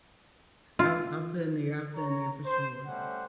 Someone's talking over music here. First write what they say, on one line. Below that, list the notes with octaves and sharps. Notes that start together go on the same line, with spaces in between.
I've I've been there, I've been there for sure.
F4
C#5 A#5
C5
G3 A3 C#4 C5 F#5